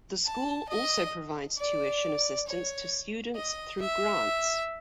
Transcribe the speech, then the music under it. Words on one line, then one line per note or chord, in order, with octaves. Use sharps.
The school also provides tuition assistance to students through grants.
A5
D#5
D5
C#5
D#5
E5